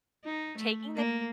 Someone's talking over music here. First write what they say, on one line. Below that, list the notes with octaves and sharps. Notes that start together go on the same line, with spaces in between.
Taking the
D#4
A3
A#3